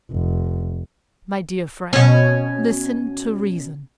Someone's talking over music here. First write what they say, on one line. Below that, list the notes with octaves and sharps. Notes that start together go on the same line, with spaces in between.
"My dear friend, listen to reason."
F1
B2 C#4